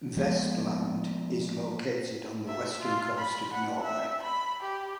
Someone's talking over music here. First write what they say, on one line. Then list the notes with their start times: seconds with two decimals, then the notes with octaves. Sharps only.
Vestland is located on the western coast of Norway.
0.17 F3 G#3 A#3 B3
2.48 E5
2.82 F4
3.18 B5
3.53 F#5
3.83 E5
4.23 B5
4.61 G4